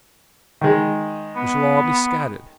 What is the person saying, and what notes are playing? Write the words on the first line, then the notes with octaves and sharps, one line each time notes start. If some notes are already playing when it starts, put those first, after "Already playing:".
We shall all be scattered.
D#3 G#3
B3